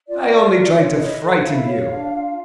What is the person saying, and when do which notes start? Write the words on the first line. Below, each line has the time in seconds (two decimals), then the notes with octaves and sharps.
I only tried to frighten you.
0.07 F4 D5
0.30 A#4
0.52 F4
0.76 C#5
0.97 E4 D#5
1.21 A4
1.43 E4 F5
1.66 C#5
1.88 D4
2.11 F4